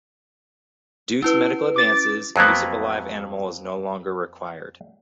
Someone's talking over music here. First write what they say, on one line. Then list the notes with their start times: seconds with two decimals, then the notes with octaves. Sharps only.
Due to medical advances, use of a live animal is no longer required.
1.22 C#4 E4 B4
1.76 D6 A6
2.36 F2 F#3 A#3 B3